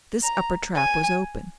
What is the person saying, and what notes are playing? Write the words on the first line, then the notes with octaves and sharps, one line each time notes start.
This upper trap was open.
A#5
G#5